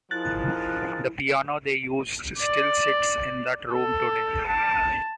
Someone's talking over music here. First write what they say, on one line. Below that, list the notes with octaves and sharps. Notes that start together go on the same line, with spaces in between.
The piano they used still sits in that room today.
F3 D#4 E4 G#4 A#4 F#6 A6
D5
A4
A5